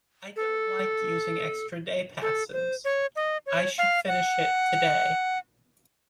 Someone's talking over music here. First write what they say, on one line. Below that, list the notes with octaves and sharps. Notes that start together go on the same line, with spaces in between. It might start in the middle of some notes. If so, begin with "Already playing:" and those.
I don't like using extra day passes; I should finish it today.
A4
A4
C5
C#5
D#5
C#5
F5
F#5